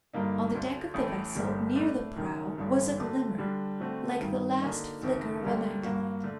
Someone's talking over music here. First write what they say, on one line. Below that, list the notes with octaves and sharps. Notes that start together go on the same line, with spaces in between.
On the deck of the vessel, near the prow, was a glimmer, like the last flicker of a night-light.
G2 D3 F#3 A#3 D#4
D2 D3 F#3
A1 A2 A3
G1 G2 D3 G3 A#3
A2 A3 D4
F#1 F#2 D#3
A1 G2 D3 F#3
D3 F#3 A3 D4
D3 G3 D4
D3 A3 C4 F#4
G2 D#3 F#3
D3 F#3 A#3 D#4
F#1 F#2 D#3
D2 D3 G3 A#3
G2 F#3 A#3 F#4
D3 A3